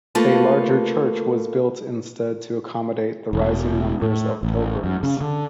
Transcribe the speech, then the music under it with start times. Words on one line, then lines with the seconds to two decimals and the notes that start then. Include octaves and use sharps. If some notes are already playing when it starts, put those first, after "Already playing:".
A larger church was built instead to accommodate the rising numbers of pilgrims.
0.15 A3 A#3 F4 B4
3.33 E1
4.02 A2
4.43 A1
4.84 F#2
5.03 C#3
5.21 D3